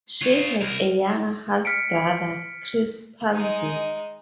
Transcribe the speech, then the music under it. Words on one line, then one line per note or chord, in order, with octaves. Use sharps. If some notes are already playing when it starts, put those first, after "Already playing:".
She has a younger half-brother, Chris Palzis.
F4 C#5
C2 A#4
F6 B6 C#7 D7
G#3 D#4